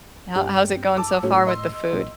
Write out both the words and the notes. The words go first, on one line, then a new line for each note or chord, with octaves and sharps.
How how's it going so far with the food?
G2 G4
A5 D6 E6
A2 F#3 A3 C#4
D#5 C6 E6
A#1